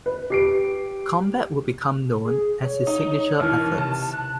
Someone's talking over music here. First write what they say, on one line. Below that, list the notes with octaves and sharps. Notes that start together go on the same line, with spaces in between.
Combat would become known as his signature efforts.
B4
G4 C7 D7
G#4
C#5
D#4
D#2 E3 F6
C3 A5
F#6